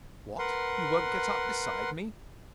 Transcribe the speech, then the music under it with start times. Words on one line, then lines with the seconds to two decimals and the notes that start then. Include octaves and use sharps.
"What--you won't get up beside me?"
0.39 A#4 B4 F#5 C6